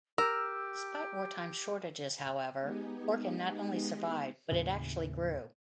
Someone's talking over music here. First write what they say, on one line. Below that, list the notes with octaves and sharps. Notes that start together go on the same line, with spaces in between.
Despite wartime shortages, however, Orkin not only survived, but it actually grew.
G4 A#4 E6
G#3 B3 D#4 G4 G#4
D#2 A2 C#3